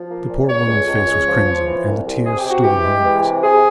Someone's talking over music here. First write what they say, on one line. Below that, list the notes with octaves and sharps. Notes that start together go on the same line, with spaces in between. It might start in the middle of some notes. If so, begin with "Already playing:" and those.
The poor woman's face was crimson, and the tears stood in her eyes.
Already playing: F3
A#3
A#2
C#2 C#5
C#2
C#2
C#2
F3
F3
E3
C2
C2
C3 G#4
G4
C3
F#4
E3 G4
G#3
E3
C3
C3 G#4